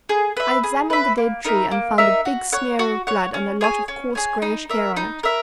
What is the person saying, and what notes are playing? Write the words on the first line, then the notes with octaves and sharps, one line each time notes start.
I examined the dead tree and found a big smear of blood and a lot of coarse greyish hair on it.
G#4
B4 E5
G#4
B4 E5
A#3
D#4 A#4 E5
A#3
D#4 A#4 E5
F#4
C#5 F#5
F#4
C#5 F#5
C#4
G#4 C#5 G#5
C#4
G#4 C#5 G#5
D#4
A#4 E5
D#4
A#4 E5